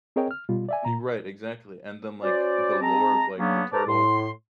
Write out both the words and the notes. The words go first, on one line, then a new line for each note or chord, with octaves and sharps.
You're right, exactly, and then, like, the lore of like the Turtle
C4 G#4 A#4 C#5 D#5 G5
F6
B2 G3 F4
D5 E5 G#5
A#2 A#5
C#4 F#4 C5 D5
G#3 C4 A5 A#5
C#3 F#3 A#3 B3 C#4 D4
A4 B4 C5 D5 A5 A#5
A2 C6